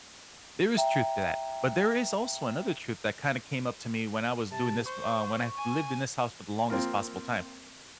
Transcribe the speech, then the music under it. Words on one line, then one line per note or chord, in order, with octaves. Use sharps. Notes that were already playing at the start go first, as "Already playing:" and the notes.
There is truth to that, but there is also another truth that kinda came up to me when I was doing this uh, when I lived in this house for the longest possible time.
E5 G5 A#5
C3 A5
C5 C#6
G#5
A#3 C4 F4 A#4